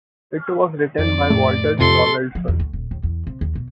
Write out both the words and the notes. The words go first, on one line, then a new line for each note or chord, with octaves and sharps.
It was written by Walter Donaldson.
F2 D5
A2 A3
F2 C3 A4 C6
F3
E2
D2
D#1
D#2
E2
C3
D#2
B2